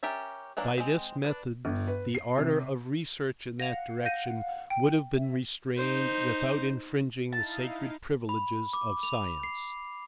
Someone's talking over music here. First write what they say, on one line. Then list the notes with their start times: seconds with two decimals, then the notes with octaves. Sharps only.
By this method the ardour of research in that direction would have been restrained without infringing the sacred privileges of science.
0.03 C#4 G4 A#4 E5 A5
0.57 E3 F#3 A#3 D4
0.78 G#3 C4
1.25 D4 B4
1.65 G1
1.87 B4
2.15 C7
2.38 C3
3.60 F5 F#5 A#6 F7
4.05 G6 A#6 D#7
4.70 G5
5.15 E5
5.77 D#4 C5
7.32 D#4 E4 F5 A5
8.29 B5
8.73 D6
9.03 F7
9.43 C7